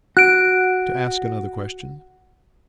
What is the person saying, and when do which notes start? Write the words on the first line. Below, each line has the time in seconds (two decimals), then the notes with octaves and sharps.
To ask another question.'
0.17 F#4 F#6 D7